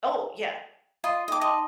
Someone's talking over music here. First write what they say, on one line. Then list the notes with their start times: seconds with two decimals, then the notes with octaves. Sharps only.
Oh, yeah.
1.04 F4 D#5 C6
1.28 D#4 D#5 G5 A5 D6
1.41 D#5 A5 C6